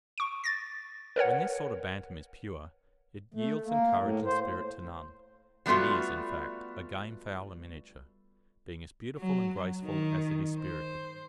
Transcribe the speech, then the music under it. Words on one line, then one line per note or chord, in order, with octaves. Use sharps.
When this sort of Bantam is pure, it yields in courage and spirit to none, and is, in fact, a game-fowl in miniature, being as beautiful and graceful as it is spirited.
C#6 D7
A6 A#6
A#4 B4 C#5 F#5
A3
A#3
A2
C5
F#3 G3 A3 B3 F4 F#4
F#3
D#3
C5